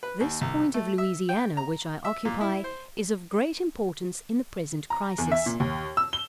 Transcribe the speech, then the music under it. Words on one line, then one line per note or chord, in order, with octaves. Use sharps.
This point of Louisiana, which I occupy, is of great importance in the present crisis.
B4
D#2
C2
A3
E5
G5
A#5
E5
A#2
E4
C5
A#5
E2
E5
A#2
D#2
E6
G7